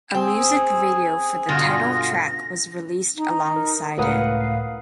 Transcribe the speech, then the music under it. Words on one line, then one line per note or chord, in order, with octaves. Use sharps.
A music video for the title track was released alongside it.
C4 G#4
G2 B2 D3 F4 A#6
D#4
A#4
C#2 A2 A#4 B4 F5 F#5 D#6